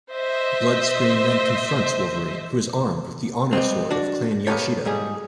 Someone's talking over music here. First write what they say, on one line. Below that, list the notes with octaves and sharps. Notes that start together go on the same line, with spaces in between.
Bloodscream then confronts Wolverine, who is armed with the honor sword of Clan Yashida.
C5 D#5 E5
G3 G#3 B3 C4
D4 F#4 D5
A#3 B3 F4 G4 A4 C#5
G#2 G3 G#4